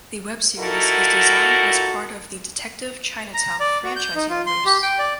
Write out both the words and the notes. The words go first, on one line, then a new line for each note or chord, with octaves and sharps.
The web series is designed as part of the "Detective Chinatown" franchise universe.
A#2 D#4 E4 F#4 A4 A#4
A#5
D5
F#4
G6
D#4
F4
C6
G4
G5
D5